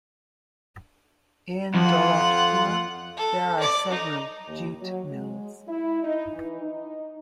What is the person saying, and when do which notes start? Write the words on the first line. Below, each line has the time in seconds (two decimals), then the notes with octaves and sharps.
In Daulatpur there are several jute mills.
1.75 F2 F4 F#5
3.17 A4
3.60 D5
3.91 D#4
4.47 D#2
4.81 F#3
5.11 G#3
5.67 E4
6.02 D#4
6.33 E3
6.61 D#4